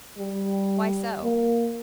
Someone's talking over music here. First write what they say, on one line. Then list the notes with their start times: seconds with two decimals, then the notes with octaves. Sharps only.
"Why so?"
0.18 G3
1.24 A#3